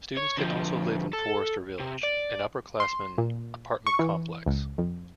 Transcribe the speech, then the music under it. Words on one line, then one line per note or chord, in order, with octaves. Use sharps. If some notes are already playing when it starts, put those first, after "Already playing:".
Students can also live in Forester Village, an upper class-man apartment complex.
C#5
D3 F3
A4
C3
D5
C6
A#2
C#6
E3
C#2
F2